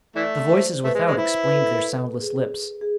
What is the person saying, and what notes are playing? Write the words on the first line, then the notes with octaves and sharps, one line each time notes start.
The voices without explained their soundless lips.
E3 A3 D5
C5
A3 B4
G#3
C5
G#3
E4
B4
A4
G#4
G#4